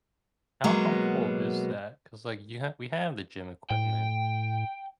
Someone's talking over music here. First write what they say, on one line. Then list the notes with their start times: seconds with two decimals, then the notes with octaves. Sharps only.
how helpful is that? 'Cause, like, you ha we have the gym equipment,
0.64 B2 F#3 G#3 A#3 B3
3.71 A2 G5